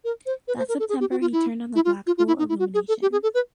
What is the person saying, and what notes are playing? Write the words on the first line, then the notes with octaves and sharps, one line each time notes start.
That September he turned on the Blackpool Illuminations.
A#4
C5
B4
C5
A#4
A4
G#4
G4
F#4
F4
E4
E4
F4
F4
F4
E4
D#4
E4
F#4
G#4
A4
G4
G#4
A4
B4